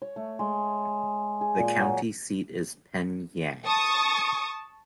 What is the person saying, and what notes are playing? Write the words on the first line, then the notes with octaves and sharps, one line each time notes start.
The county seat is Penn Yan.
C#5
A3
G#3
G#4
A#2
F#3
A5 C#6 D#6